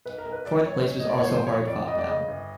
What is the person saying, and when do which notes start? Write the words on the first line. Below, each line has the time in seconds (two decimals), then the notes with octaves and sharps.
Fourth place was also a hard fought battle.
0.05 B1 B4
0.18 A#4
0.26 B1
0.32 B4
0.46 B1 D5
0.66 B1 C#5
0.86 B1
1.00 D#5
1.06 A2 D5
1.18 C#5
1.27 F3 C5
1.46 F3 C#5
1.67 F2 D5
1.87 F2 D#5
1.98 D5
2.07 C#3 D#5
2.28 G1